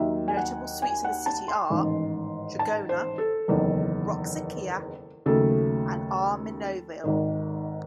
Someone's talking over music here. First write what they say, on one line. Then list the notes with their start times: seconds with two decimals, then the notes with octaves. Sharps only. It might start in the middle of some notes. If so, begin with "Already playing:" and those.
Notable sweets of the city are "Trigona", "Roxakia" and "Armenovil".
Already playing: D#2 D#3 F#3 E5
0.28 G#5
0.37 F#5
0.82 G#5
1.04 F#5
1.26 A5
1.48 C6
1.70 A1 G#2 D#3
2.59 A5
2.89 C5
3.18 A4
3.48 F#1 E2 D#3
5.26 D#2 C#3 F#3 A3 A4
7.04 G#1 G#2 D#3